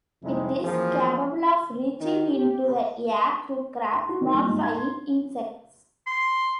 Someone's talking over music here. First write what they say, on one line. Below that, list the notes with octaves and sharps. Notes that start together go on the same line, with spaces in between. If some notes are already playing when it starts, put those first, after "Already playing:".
It is capable of reaching into the air to grab small flying insects.
F2 C3 G3 G#3 D#4 E4
F#2 E3 F3 A#3 C4 G#4
D#3
G4
C6
F#4
D#3
D#1
G#2
G#6
C6
C6